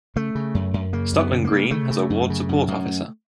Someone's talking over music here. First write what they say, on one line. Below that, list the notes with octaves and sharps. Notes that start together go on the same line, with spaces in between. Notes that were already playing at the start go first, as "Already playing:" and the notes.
Stockland Green has a Ward Support Officer.
C#3 A3
C#3
F#2
F#2
C#3 A#3
F#2
B3
C#3
A#3
C#3
C#3 A3
C#3
F#2
C#3
F#2
F#2